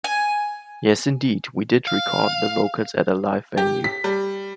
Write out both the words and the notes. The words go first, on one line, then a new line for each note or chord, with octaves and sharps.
Yes indeed, we did record the vocals at a live venue.
G#5
F5
G4
B6
G3